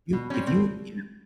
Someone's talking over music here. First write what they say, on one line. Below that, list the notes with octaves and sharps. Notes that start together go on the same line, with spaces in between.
you if you, you know,
B2
G3 C4 C#4
B2 C4